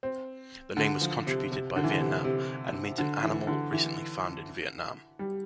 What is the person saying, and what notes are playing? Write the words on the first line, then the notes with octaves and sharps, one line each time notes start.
The name was contributed by Vietnam and means an animal recently found in Vietnam.
C4
D3
F3
C3
C3
D3
E3
D3
C3
C3
D3
E3
D3
E3
G3